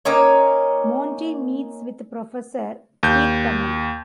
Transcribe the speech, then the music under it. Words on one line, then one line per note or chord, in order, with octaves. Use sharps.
Monty meets with Professor Pitkannan.
A#3 C#4 D#4 C#5
D#2 G6